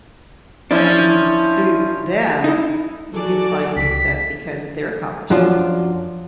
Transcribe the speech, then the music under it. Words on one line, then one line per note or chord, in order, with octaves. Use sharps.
that you through them you can find success because of their accomplishments.
F3 C#4 D4 E4
D#4 E4
F#3 F#4 G#4 A4 D5
C#2 G4 B6
F#2 F3 F#3 D4 F4